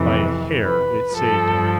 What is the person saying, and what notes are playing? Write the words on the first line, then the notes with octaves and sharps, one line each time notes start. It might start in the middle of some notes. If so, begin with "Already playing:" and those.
By a hair it saved him.
Already playing: F2 C3 E3
B4
G2 F3 A4